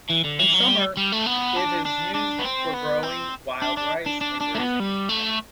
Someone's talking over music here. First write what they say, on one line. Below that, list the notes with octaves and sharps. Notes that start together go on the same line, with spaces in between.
In summer it is used for growing wild rice and grazing cattle.
E3
D3
E3
F#3
G3
G3
A3
B3
D4
D4
D4
B3
C4
B3
C4
D4
D4
D4
D4
D4
A3
B3
G3
A3